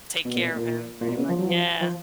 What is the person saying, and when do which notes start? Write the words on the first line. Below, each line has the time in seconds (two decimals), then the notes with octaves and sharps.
Take care of him pretty mu yeah.
0.25 B2
0.36 A#2
0.44 B2
0.56 A#2
1.01 A#2
1.09 B2
1.18 C#3
1.29 F3
1.39 F#3
1.49 F3
1.81 F3